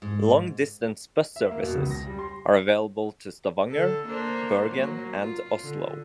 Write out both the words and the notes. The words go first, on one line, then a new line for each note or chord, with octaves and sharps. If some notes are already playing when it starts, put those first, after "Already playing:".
Long distance bus services are available to Stavanger, Bergen, and Oslo.
G#2
E5
A#3
B2
C#2
A#6
G3
C6
D3 A4
A#3 D4 C5
F#3 A#3
F4
D3